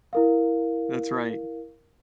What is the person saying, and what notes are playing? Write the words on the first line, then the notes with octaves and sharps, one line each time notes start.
That's right.
E4 A#4 F5